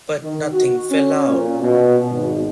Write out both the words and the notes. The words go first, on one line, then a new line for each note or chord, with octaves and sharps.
But nothing fell out.
D#3
F#4
C#4
A#2
B2
G#1